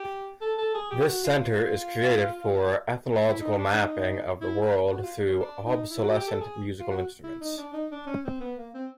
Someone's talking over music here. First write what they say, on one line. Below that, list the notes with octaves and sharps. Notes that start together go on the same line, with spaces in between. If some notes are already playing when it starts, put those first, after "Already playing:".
This centre is created for ethnological mapping of the world through obsolescent musical instruments.
Already playing: G4
A4
A4
G#4
G4
F#4
F4
F4
E4
D#4
D4
D#4
E4
F#4
F4
C#4
D4
D#4
E4
F#4
G4
A4
G#4
F4
F#4
E4
D#4
D4
D#4
D4
C#4
C4
B3
A#3
C4